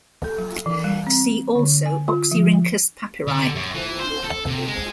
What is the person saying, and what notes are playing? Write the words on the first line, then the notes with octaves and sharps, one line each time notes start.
See also Oxyrhynchus Papyri.
A4
F#3
E3
G3
C4
D3
G#5
F4
F3
D3
F#2
E3
C5
A4
C3
G#3